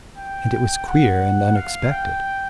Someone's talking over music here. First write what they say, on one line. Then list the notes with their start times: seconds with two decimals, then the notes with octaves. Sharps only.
And it was queer and unexpected.
0.18 G5
0.87 F#5
1.56 F5
1.91 G5